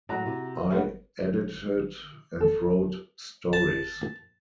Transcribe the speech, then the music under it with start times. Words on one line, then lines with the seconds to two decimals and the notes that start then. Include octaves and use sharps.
I edited and wrote stories.
0.09 A2 F#3 G#3 F#4 A#5
0.26 C3
0.70 G2 G3 A3 C#4 C5 F#5
2.41 A4
3.53 A5